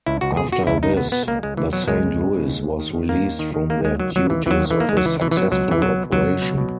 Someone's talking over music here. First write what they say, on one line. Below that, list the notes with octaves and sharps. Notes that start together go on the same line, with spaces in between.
After this, the Saint Louis was released from their duties of a successful operation.
C#2 E4
C#2 F#4
B2 G#4
B2 F#4
C#2 E4
C#2 D#4
B2 B3
B2 B3
C#2 A#3
C#2 G#3
B2 E3
B2 F#3
C#2 G#3
C#2
B2
B2
D#2
D#2
D#3
D#3
D#2 A#3
D#2
D#3
D#3
D#2 A#3
D#2 G#3
D#3 F#3
D#3 F#3
D#2 E3
D#2 E3 F#3
D#3
E3
D#3 A#3
C#2 G#3
F#3
C#2 E3
B2 E3
E3
B2 F#3
C#2 F#3
C#2 E3
B2 F#3
B2
C#2 F#3
C#2
B2
B2